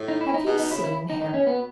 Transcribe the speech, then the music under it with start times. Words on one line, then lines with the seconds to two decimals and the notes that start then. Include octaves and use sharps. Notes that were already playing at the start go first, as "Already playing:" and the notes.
Have you seen him?
Already playing: A2
0.08 D#4
0.21 E4
0.34 D#4
0.47 B2 D#4
0.59 D#4
0.71 C#3 E4
0.84 E4
1.10 D#4
1.22 A2 D#4
1.34 C#4
1.47 B2 B3